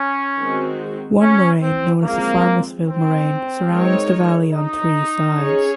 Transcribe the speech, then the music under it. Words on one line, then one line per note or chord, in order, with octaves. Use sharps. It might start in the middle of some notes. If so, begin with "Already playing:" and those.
One moraine known as the Farmersville moraine surrounds the valley on three sides.
Already playing: C#4
D#3 G#3 C4 F#4
C#4
C4
F3 G#3 A#3 C4
C4
G#3 D#4 A#4 C#5
D#4
C#4 G#4 C#5